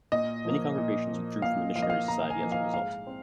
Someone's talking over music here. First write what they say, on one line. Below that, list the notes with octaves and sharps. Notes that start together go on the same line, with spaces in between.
Many congregations withdrew from the missionary society as a result.
A#2 D#5
F3 A#3
A#2
F3 A#3
A#2 F5
F3 A#3 D#5 F5
F5
A#2 A#5
G#5
F3 A#3
F5
G#2 F5
C4